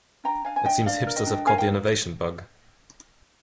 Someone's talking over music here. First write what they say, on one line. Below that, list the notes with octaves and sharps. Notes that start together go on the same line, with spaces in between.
It seems hipsters have caught the innovation bug.
D4 G5 A#5
D4 F5 G#5
G#5
D4 D#5 G5
D4 D5 F5
A#4
D#5 G5
D4
A#4 F5 G#5
G5